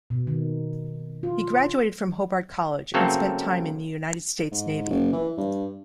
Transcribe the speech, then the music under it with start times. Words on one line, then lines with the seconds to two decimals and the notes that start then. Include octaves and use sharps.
He graduated from Hobart College and spent time in the United States Navy.
0.10 B2
0.27 D#3
1.23 F4
2.94 C#3 F#3 A3 A#3 C4 A4
4.52 G#2
4.90 F#1
5.13 E3
5.38 G2